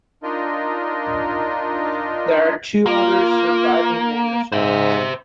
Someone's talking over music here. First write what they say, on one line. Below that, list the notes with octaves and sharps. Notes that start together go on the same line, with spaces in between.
There are two other surviving manuscripts.
D4 D#4 F4 A#4 D#5
A#3 F4
G#2 C5 E5